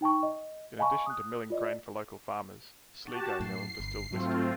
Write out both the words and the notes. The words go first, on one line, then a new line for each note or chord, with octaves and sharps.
In addition to milling grain for local farmers, Sligo Mill distilled whiskey.
D#4 G5 A5 C#6
D#5
D#5 F5 G#5 A5 B5 C#6
D#6 F#6
F4 D5 D#5
F#4 G4 A5
F#2 A2 C7
G1
G#2 F#3 A3 C4 F4